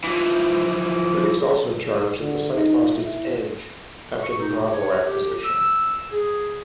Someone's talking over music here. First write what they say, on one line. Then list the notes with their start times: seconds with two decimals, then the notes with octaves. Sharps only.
Critics also charged that the site lost its "edge" after the Bravo acquisition.
0.04 E3 F3
2.21 D3
2.55 D#4
2.94 E4
4.22 C#6
4.38 D#4
4.58 C3
4.73 C#5
5.04 G4
5.44 E6
6.11 G#4